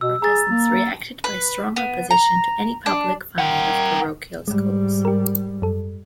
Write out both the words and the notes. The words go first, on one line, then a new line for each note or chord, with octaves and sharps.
Protestants reacted by strong opposition to any public funding of parochial schools.
B2 E6
G#4 A#5 A6
A#3
B4
B3
A#5
D4
A#4 F#5 G5
G#2 G3 G#3
G4 A#4
F#2 A4